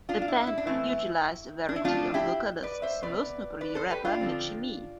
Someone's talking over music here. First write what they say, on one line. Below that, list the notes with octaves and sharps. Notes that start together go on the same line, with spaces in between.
The band utilized a variety of vocalists, most notably rapper Michie Mee.
D4 F4
F4
E4
E4
D4
E3 A3 C4 E4
D4
E4
D3 F3 A3 C4 D4 F4
E4 G4
B4 D5
C5 E5
C3 F3 B3 B4 D5
B4 D5
A4 C5
G4 B4
D4 F4
D3 F3 C4